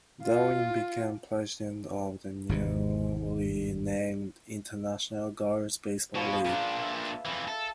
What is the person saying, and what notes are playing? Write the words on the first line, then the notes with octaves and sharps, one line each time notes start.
Darling became president of the newly named International Girls Baseball League.
F4
G#1 E2 C3
B2 F3 G#4 B5
A#2 D4 B4
E5
F2 E3
A4 E5